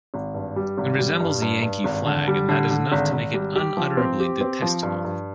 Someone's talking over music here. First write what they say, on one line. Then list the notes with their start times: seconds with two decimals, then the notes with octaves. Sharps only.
It resembles the Yankee flag and that is enough to make it unutterably detestable.
0.14 G#1
0.34 G2
0.56 G3
0.78 G#1
0.99 G3
1.20 G2
1.42 G2
1.62 G2
1.84 G#1
2.06 D3
2.28 G3
2.49 D3
2.70 D3
2.92 G#1
3.12 G#1
3.34 G3
3.55 G4
3.77 F3
3.97 C4
4.20 G4
4.41 C4
4.62 F3
4.83 G2
5.05 G2